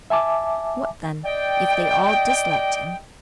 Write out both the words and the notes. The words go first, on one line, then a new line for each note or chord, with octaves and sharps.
"What, then, if they all disliked him?"
E5 G#5 A5 D6
D5 D#5 G5